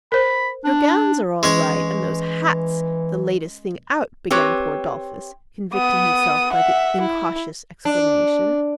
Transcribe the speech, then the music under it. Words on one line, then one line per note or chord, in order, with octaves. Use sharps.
Your gowns are all right, and those hats the latest thing out,' began poor 'Dolphus, convicting himself by the incautious exclamation.
A#4 C5 B5
D4
E3 G#3 C#4 C#5
C4 G4 B4 C#5
B3 D#6
E5 F#5
E4
D4